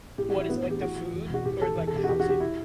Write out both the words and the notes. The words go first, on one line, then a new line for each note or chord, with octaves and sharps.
What is it? Like, the food or, like, the housing?
A2 G4
F#4
E3 E4
A2 B3
E3 G4
A2 F#4
E3
E2
B2 F#4
A2 G4
E3 A4
E2
A4
B2
G4
F#4
E2 G4
F#4
D3 G4
E4